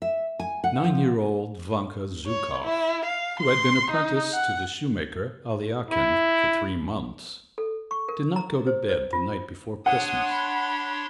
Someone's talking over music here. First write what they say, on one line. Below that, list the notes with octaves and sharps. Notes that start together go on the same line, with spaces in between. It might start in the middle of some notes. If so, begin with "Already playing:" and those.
Nine-year-old Vanka Zhukov, who had been apprentice to the shoemaker Aliakhin for three months, did not go to bed the night before Christmas.
E5
G#5
F#5
F3
C#5
E4
F5
C6
D#4
F#5
E4
A4
C#6
A#4
A#5
C5
C5
F4
D4 C#5 F#5 C6 D#6
B5